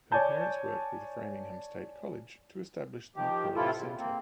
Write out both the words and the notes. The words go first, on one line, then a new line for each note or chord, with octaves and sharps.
Her parents worked with Framingham State College to establish the McAuliffe Center.
C#5 D5 G#5 A5 G6
D#3 F3 G4
A2 C3 E3 E4 F4 A4
C#3
A#3 C4